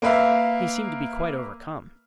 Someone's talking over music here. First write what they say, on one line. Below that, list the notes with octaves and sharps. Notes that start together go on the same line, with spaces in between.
He seemed to be quite overcome.
A#3 B4 E5 F5